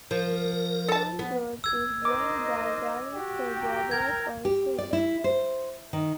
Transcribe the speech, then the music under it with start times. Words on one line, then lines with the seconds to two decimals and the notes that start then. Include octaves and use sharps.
San Jorge is drained by various "quebradas" or streams.
0.11 F3 A#4
0.88 A4 A5
1.19 B3
1.64 E6 G#6
2.05 D#4 A#4 C5 D#5 D6
3.14 F#4 G4
3.58 G5 A#5
3.91 A#4 G#6
4.45 G4
4.78 D5
4.93 E4
5.24 C5
5.93 D#3